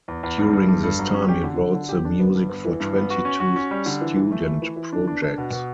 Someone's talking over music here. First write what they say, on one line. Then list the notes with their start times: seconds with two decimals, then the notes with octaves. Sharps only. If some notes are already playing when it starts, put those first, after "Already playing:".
During this time he wrote the music for twenty-two student projects.
0.08 E2
0.23 E2
0.38 G2
0.53 G2
0.68 G2
0.83 G2
0.99 F#3
1.14 C#4
1.28 G4
1.44 D3
1.59 D3
1.74 D3
1.89 G4
2.05 D4
2.20 B3
2.35 G2
2.49 B3
2.65 E3
2.80 G2
2.95 B3
3.10 F#4
3.25 C#4
3.40 F#4
3.56 C#4
3.71 G3
3.86 D3
4.01 E3
4.16 E3
4.32 A3
4.46 E4
4.62 E3
4.77 E3
4.93 D4
5.07 D4
5.22 D4
5.38 B2
5.53 B2